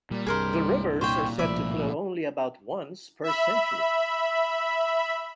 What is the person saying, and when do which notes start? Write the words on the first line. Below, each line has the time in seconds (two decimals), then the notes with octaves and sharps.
The rivers are said to flow only about once per century.
0.11 A#2 G3
0.27 C2 G2 G#4 A#4 C5
1.01 A#2 C5 C#5 G5
1.39 C2 A2 F3 D5 E5 B5
3.23 E5 B5